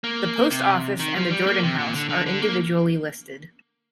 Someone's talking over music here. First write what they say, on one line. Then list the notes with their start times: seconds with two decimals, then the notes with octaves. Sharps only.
The post office and the Jordan House are individually listed.
0.04 A#3
0.51 C3
1.00 D#3
1.15 F3
1.30 G3
1.47 A#3
1.63 C3
1.78 A#2
1.94 D3
2.09 D3
2.26 D3
2.41 A#3